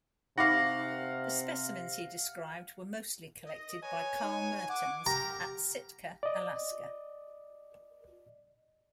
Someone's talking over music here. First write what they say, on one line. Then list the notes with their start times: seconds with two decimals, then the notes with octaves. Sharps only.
The specimens he described were mostly collected by Carl Mertens at Sitka, Alaska.
0.38 C3 D#4 F5 F#5 B5 D6 A#6
3.46 D#5
3.82 B4 C#5 G#5
4.22 D#4
4.69 F#5 C#6 D6
5.06 G4 A#4 A#5
6.23 D5 D#5